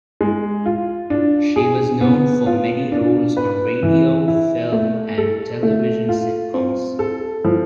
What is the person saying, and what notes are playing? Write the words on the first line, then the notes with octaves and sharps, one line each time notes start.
She was known for many roles on radio, film and television sitcoms.
G#3
F4
D4
G#4
B3
F4
D4
B4
E3
E4
A3
A4
A3
F4
C4
A4
F3